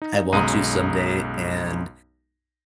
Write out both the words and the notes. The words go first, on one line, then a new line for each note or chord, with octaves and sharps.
I want to someday, and
D#4
B1 F#2 G#3 A#5 D#6 D#7